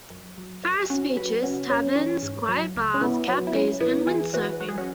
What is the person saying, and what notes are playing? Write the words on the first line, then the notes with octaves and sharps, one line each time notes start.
Faris features: taverns, quite bars, cafes, and windsurfing.
F#2
F#3
F#2
C#2 C#4 F#4
F#3 F#4 B4
C#3 C#4 F#4
F#2 C#4
E3 C#4
G#2
F#3
C#2
C#4
B2 B3 E4
F#3
E4
F#3 C#4
G#1 B3 E4
E3 E4 G#4
E3 F#4 B4
F#3 F#4
G#4
C#4 F#4